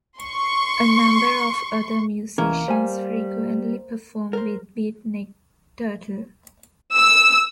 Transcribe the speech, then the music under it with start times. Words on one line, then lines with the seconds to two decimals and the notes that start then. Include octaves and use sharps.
A number of other musicians frequently perform with Beatnik Turtle.
0.18 C6 C#6
2.38 C2 E3 A#3 C#4
2.68 G3 C5 G#5
4.33 A#4 C5
6.96 E6